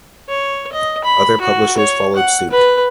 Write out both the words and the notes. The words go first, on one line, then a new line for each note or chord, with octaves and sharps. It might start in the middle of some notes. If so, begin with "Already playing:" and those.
Other publishers followed suit.
C#5
D#5
B5
F#4
C#5
F#5
B4